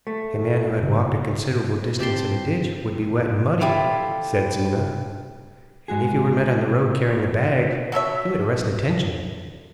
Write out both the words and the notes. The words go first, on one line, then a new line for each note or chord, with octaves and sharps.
"A man who had walked a considerable distance in a ditch would be wet and muddy," said Zena, "and if he were met on the road carrying a bag he would arrest attention."
A3
C#3 D4
C4 G4 A5 C6
E4 F4 G4 A4
G#3 F#4 G#4
F#4 A4 C#5 E5